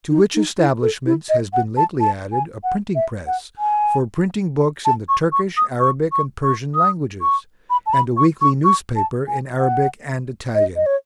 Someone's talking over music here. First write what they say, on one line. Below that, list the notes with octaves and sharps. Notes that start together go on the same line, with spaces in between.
To which establishments has been lately added a printing press, for printing books in the Turkish, Arabic and Persian languages, and a weekly newspaper in Arabic and Italian.
D#4
D#4
E4
A4
E4
D#5
F#5
A5
A5
G#5
F#5
E5
F#5
G#5
A5
C#6
C#6
D#6
C#6
C#6
C#6
D#6
C#6
B5
A5
B5
C#6
C#6
C#6
A5
G#5
F#5
D#5
D#5
C#5